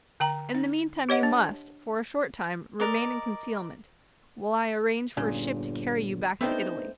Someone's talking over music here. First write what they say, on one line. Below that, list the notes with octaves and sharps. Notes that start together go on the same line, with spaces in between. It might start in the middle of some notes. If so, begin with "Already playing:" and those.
"In the meantime you must, for a short time, remain in concealment, while I arrange for a ship to carry you back to Italy."
D3 G5 A#5
D#4
G4 C#5 D#5 F#5
D4
A#4 D5 D#5
G1 A#2 C#3
A3 B3 C4 D4 D#4 C5